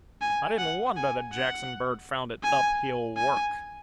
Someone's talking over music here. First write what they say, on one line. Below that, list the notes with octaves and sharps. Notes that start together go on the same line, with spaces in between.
I didn't wonder that Jackson Bird found it uphill work.
G#5
F#5
G#5
F#5
G#5
G#5